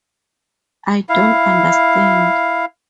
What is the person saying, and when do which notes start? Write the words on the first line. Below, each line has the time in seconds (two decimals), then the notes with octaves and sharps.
I don't understand.
1.09 E4 F5